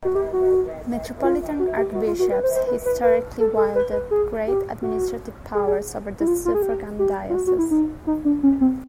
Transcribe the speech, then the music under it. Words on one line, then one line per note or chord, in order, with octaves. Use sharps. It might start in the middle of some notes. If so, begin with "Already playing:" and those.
Metropolitan archbishops historically wielded great administrative powers over the suffragan dioceses.
F#4
G4
F#4
F4
F#4
G4
F#4
F4
F#4
B4
C5
C5
B4
B4
B4
A4
A4
B4
B4
G#4
G4
F#4
G#4
G#4
E4
F4
F4
G#4
G4
G4
F4
F#4
F#4
E4
D#4
D#4
D4
C#4
C4